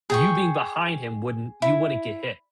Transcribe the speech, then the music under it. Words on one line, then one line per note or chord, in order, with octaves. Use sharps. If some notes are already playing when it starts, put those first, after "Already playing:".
you being behind him wouldn't you wouldn't get hit,
G#4 G5 C#6
E4